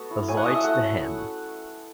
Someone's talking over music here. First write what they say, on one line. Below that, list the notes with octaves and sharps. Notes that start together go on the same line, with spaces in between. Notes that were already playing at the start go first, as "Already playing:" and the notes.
Avoid the ham.
Already playing: A3 B3 F#4
E4
F#3 G#5
F#5
A3 D#5
E5
A3 F#5
C#4